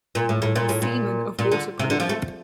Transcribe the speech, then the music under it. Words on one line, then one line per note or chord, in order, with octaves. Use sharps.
Seaman of Waterproof.
A#2
A2
A2
A#2
A2
A#2
A#2
D3
C3
D3
F3
A3